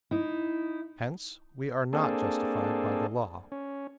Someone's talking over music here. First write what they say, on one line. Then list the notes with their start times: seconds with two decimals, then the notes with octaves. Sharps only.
Hence, we are not justified by the Law.
0.11 D#4 E4
1.93 A#3 C4 D4 G#4 A4
3.52 C#4